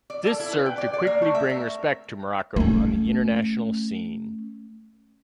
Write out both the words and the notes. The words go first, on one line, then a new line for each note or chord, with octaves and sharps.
This served to quickly bring respect to Morocco on the international scene.
D5
A4
E4
B4
G5
D5
D5
A#3
A3
E5
A#4
A3 C#4